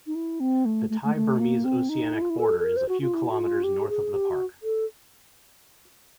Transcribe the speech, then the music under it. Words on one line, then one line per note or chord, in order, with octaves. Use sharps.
The Thai-Burmese oceanic border is a few kilometers north of the park.
D#4
E4
C4
A3
A3
A3
A3
A#3
C4
D#4
E4
F4
E4
A4
A4
A#4
C5
F#4
F4
E4
F#4
F4
G4
G#4
G4
F#4
A4